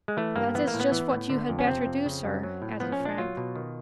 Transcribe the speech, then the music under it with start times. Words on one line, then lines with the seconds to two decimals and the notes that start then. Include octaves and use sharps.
"That is just what you had better do, sir," added Frank.
0.08 G#3
0.17 E3 A3
0.36 G2 A#3
0.55 E3 B3
0.68 A#3
0.74 A2
0.80 B3
0.92 E3
1.11 A2
1.30 D3
1.49 F2
1.59 C#4
1.67 C3 C4
1.86 F2
2.06 C#3
2.24 F#2
2.43 F#3
2.62 A2
2.80 F3 B3
2.92 C#4
3.00 A#2
3.05 D4
3.18 F#3 F4
3.37 B2
3.56 D#3